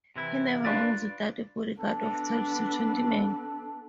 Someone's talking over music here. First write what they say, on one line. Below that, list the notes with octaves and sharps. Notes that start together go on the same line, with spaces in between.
He never moves without a bodyguard of twelve to twenty men.
C3 E3 E4
D4 F4 B4 D5
B3 D4 A4